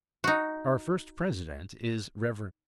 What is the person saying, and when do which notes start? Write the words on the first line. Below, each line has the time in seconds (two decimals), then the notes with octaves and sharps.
Our first president is Rev.
0.24 D#4 F#4